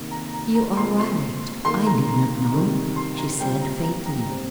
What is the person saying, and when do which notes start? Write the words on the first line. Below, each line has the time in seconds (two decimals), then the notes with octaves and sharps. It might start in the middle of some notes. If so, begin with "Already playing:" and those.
"You are right--I did not know," she said faintly.
Already playing: C3 D#3 A#3
0.11 A#5
0.33 A#5
0.55 A#5
0.77 C3 F3 A#3 C6
0.99 C6
1.65 D#3 A#3 C6
1.86 A#5
2.52 C3 D#3 G3
2.96 C6
3.18 A#5
3.39 A#2 G3 C4 G5
3.61 A#5
3.83 A#5
4.05 A#5
4.27 C3 G3 C4